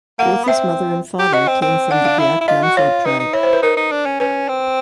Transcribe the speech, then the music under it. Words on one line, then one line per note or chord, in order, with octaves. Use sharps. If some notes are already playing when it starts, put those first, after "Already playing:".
Both his mother and father came from the Biak Numfor tribe.
A#3 F#5
B3
C4 E5
G4
F#4 D#5
C4
C4
D4 F#5
F5
E4 E5
E4
F4 D#5
F#4
F4 C#5
D#4 B4
D#4
E4 C#5
C5
B4
D#4 A#4
D#4
D4
C#4
C#4 B4
C4